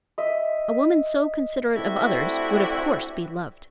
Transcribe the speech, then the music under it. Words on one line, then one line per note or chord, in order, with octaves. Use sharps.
A woman so considerate of others would of course be loved.
D#5 E5
A3 C4 D4 E4 F#4 G4